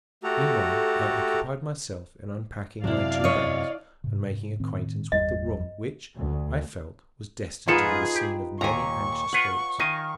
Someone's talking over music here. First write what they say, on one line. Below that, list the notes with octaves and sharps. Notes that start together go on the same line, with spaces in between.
Meanwhile I occupied myself in unpacking my two bags and making acquaintance with the room which, I felt, was destined to be the scene of many, anxious thoughts.
A3 F#4 G4 A4 A#5
F#2 C3 F#3 D4 E4 D5 F5
C#5 D#5 G5
G#2 C3
A2 D#3 C4
G1 E2 G3 D#5
D2
G#2 F3 D#4 F4 G#4 A4 B4
G4
D#2 A#2 G#5 A#5 C#6
F4 B4 C#5 F#5
D#3 D#5 F5 G#5